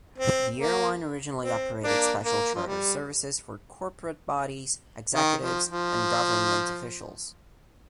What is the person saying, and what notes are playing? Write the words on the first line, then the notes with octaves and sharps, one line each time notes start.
The airline originally operated special charter services for corporate bodies, executives and government officials.
C4
A#3
C4
A#3 D4
A#3
F3
G3
D#3
F3
F3